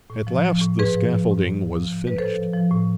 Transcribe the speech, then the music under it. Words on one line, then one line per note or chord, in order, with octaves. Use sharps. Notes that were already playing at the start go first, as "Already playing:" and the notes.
At last the scaffolding was finished.
A2
F3
F3
A2
G#2 G#4 B4
F3
F3
G#2
G#2
F3
F3
G#2
B4
A2 A4 C5
F3
F3
A2